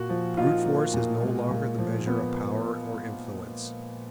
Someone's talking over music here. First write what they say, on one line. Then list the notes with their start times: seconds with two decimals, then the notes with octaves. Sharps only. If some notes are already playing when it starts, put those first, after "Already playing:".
Brute force is no longer the measure of power or influence.
Already playing: A#2 A#3 F#4
0.10 F3
0.37 D#4 F4
0.66 A#3
0.94 A#2
1.22 G#3
1.51 A#2
1.78 F3
2.07 B3